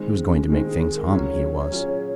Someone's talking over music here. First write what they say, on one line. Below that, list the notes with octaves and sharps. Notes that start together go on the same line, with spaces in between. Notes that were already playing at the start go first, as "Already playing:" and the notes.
He was going to make things hum, he was.
Already playing: D#3 G#3 C4
C#4
D#3 G#3 C4 D#4
G#4
G#4
A#4
F#3 C#4 F4 G#4 C#5
F#3 C#4 F4 G#4